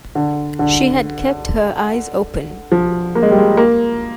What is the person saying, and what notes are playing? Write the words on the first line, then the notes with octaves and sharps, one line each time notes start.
She had kept her eyes open.
D3
D3
F3
A#3
G#3
G3
G#3
A#3